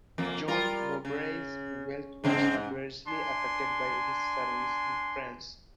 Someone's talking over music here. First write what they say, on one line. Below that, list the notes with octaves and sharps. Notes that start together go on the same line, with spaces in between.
John Mowbray's wealth was adversely affected by his service in France.
F2 A#3
G3 F4 A#4
C#3
G#2 C#3 C4
G#2
D4 G#5 C6